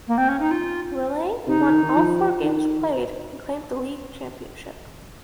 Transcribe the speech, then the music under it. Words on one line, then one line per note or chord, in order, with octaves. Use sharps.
Raleigh won all four games played and claimed the league championship.
A#3
C4
C#4
D#4
F4
C3 D#4
C#3
D#3
D#3
F3
D#3